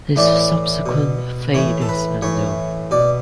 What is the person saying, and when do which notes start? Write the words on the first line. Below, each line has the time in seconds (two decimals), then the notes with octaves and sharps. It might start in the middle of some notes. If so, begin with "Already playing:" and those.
His subsequent fate is unknown.
0.16 A2 E3 D5
0.86 B2
1.54 A2 E3 C#5
1.81 A4
1.89 B4
2.22 A2 E3 C#5
2.91 B2 D5